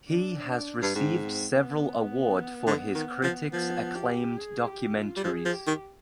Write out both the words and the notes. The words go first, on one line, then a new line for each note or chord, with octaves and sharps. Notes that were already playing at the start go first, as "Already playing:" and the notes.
He has received several award for his critics acclaimed documentaries.
D4
G2
G#2 C4
C4
B3
D3
D#3
F3
F3 B3
G4
G#4
G4
F4
G3
F3 G#4
F3
G4
D#3